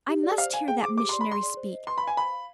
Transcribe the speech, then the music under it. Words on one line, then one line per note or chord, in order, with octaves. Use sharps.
I MUST hear that missionary speak.
G4
D5
C5 F5
F5 G#5
G#4 G5
C5 D6
G4 D6
D5 C6
B5
G#4 C6
D5
C5
D#5
B4 C6
B5
F5 G#5
C5 B5
F5